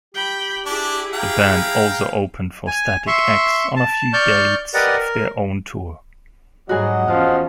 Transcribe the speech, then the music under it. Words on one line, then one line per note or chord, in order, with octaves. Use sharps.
The band also opened for Static-X on a few dates of their own tour.
G4 G5 B5
D4 E4 G#4 D6
F5 G5 A#5
G#5
E5 C6 C#6
A5
D5 C#6 F6 G6
G4 A#4 B4 D5 D#5 F#5
A#4
G#2 F#3 G3 F#4 G#4 D#5 F#5
E2 F3 C#4 F5